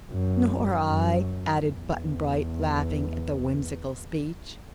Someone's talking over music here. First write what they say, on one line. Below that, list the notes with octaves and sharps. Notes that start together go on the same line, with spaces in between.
"Nor I," added Button-Bright, laughing at the whimsical speech.
F#2
F#2
E2